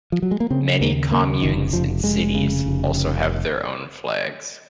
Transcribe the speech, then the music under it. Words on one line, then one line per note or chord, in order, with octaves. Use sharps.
Many communes and cities also have their own flags.
F3
F#3
G#3
A#3
C#3 C4
D#2 A#3
C#3 A#3
F1 D#3
F1 F3
F1 G#3
C#3
F1